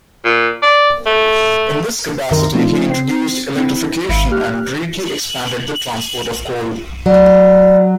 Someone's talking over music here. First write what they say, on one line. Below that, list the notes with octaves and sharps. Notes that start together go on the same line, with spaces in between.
In this capacity he introduced electrification and greatly expanded the transport of coal.
A#2
D5
A3
C2 F#2 D#3 A#4 A#5 C6
F3 A3 C4 D4 D#4 F4
C4 C7
C4 E4
G#1 E5 F5 B5 D#7
G4 F6 F#6
F#3 D5